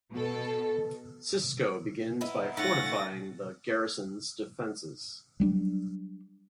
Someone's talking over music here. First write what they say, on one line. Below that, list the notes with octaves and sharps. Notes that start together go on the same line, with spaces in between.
Sisko begins by fortifying the garrison's defenses.
B2 A4
B3 D#4 E4
A3 C#4 D#4 F4 F#5 A6 A#6
F#3 G3 D4